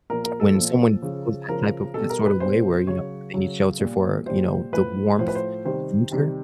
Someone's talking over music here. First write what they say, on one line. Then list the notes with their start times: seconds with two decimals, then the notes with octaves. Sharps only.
when someone goes that type of that sort of way where, you know, they need shelter for, you know, the warmth of winter,
0.10 A#2 F3 A#4
0.24 A#4
0.40 A4
0.55 A#2 F3
1.02 C#3 F3
1.49 C#3 F3 A#4
1.94 B2 A4
1.99 G3
2.10 A#4
2.26 B4
2.40 B2 G3 C5
2.87 C#3 F#3 C#5
3.34 C#3 F#3
3.80 A#2 G3
4.26 A#2 G3 C5
4.72 A2 F3 B4
5.18 A2 F3 C5
5.28 B4
5.35 C5
5.65 C3 D#3 G3 C5
6.11 C3 D#3 G3